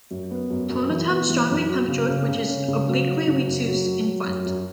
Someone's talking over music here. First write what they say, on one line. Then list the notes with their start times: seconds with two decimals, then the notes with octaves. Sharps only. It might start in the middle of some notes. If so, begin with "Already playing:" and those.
Pronotum strongly punctured which is obliquely retuse in front.
0.11 F#2
0.31 B3
0.50 F#2
0.69 F#2
0.90 E3
1.10 B3
1.30 E3
1.49 F#2
1.69 F#3
1.88 C#3
2.08 C#3
2.28 C#3
2.48 C#4
2.68 C#3
2.88 F#3
3.08 F#3
3.27 C#3
3.47 F#2
3.67 F#3
3.86 F#3
4.07 F#3
4.26 F#2
4.46 F#2